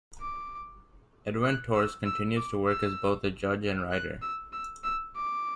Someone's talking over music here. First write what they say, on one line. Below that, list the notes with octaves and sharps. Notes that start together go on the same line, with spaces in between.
Edwin Torres continues to work as both a judge and writer.
D6
F#6
E6
E6
D6
E6
F#6
E6
E6
E6
D6